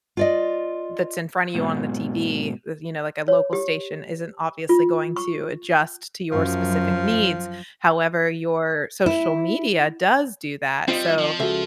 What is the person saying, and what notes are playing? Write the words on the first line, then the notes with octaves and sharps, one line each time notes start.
that's in front of you on the TV, y you know like a local station isn't obviously going to adjust to your specific needs. However, your social media does do that. So,
F4 D5 D#5
G#2 B2
C#5
G4
F4
C#6
F#2 F3
E4
G3 C4 F4 D#5
F3
C#2 F#4 A4 E5